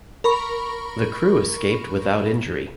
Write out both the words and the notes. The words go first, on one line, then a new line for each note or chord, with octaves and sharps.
The crew escaped without injury.
A#4 B5 C#6